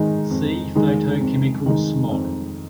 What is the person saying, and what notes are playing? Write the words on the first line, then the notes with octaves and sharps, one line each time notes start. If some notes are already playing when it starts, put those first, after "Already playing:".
See photochemical smog.
Already playing: D#3 G#3 D#4
F2
D#3 G#3 D#4
F2
D#3 G#3 D#4
F2